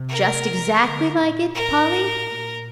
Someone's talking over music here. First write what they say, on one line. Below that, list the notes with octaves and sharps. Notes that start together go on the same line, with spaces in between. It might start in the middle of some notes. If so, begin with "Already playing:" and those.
"Just exactly like it, Polly?"
Already playing: C3
A#4
D3
A#2
A2 A#4
A#2